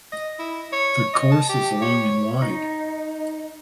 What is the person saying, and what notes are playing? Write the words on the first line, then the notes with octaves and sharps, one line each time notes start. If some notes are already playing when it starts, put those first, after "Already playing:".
The course is long and wide.
D#5
E4
C#5
D#5
A5
G4
C#5
D#4